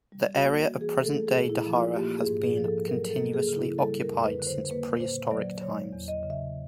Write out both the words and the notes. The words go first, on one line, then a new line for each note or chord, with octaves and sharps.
The area of present-day Tahara has been continuously occupied since prehistoric times.
G3
F#4
A#3
E3
G#4
A3 A4
G#4
A#2
E4
F3
F4
A#3 G4
G#4
G#2
G#4
F3
A4
F#3 A#4
A4
A#3
G#4
C#3
E4
G3 A4
A#4
F2
B4
D3
C5
A#3 B4
A#2 C5
F#3 D5
F#3 C#5
E2
D#5
C#3
E5